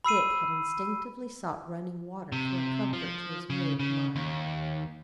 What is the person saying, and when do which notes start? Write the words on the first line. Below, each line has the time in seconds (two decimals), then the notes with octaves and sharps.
Dick had instinctively sought running water for a comfort to his mood of mind.
0.04 B5 E6 C7 D#7
2.32 C3
2.93 F3
3.50 C#3
3.79 C#3
4.16 D#2